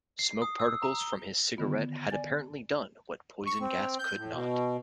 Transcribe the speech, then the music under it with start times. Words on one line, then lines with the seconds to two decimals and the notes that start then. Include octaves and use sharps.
Smoke particles from his cigarette had apparently done what poison gas could not.
0.19 C7
0.42 D#6
0.60 E6
0.83 A#5
1.01 G7
1.57 D3 D#3 B3 F4
2.10 D5 G#5 A6
3.47 C#6
3.61 C4
3.99 G6
4.17 A2
4.33 B2